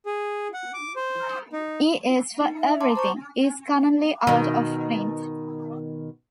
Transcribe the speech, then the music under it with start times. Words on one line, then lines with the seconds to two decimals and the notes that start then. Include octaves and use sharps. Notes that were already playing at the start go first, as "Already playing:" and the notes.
"E is for Everything" is currently out of print.
0.06 G#4
0.54 F#5
0.74 D6
0.96 C5
1.53 D#4
2.40 D#4
2.60 E5
2.81 A5 C6 D6
2.96 C5 A5 A#5 C#6
4.27 B2 D#3